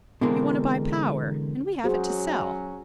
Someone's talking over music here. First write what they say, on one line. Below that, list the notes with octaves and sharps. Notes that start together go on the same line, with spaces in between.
You want to buy power, and we have it to sell.
B2 D3 E3 G#3 A#3 C4
F#3 C#4 F#4 G#4 C5